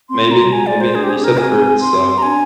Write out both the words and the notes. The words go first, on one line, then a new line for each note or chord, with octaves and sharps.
maybe maybe. You said fruits, so,
C4 C6
C4
A#5
G3
G#3 G#5
D5
C5
D4 G#4
G4
G#4
C4
A#4
C4 G#5
C6
C4
A#5
D4 G#5